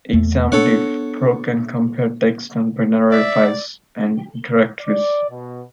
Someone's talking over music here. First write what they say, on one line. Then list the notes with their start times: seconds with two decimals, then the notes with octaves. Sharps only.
ExamDiff Pro can compare text and binary files, and directories.
0.13 E2 A3
0.52 B3 D4 A4 C#5 F#5
3.11 D5 E5
4.80 D5
5.29 B2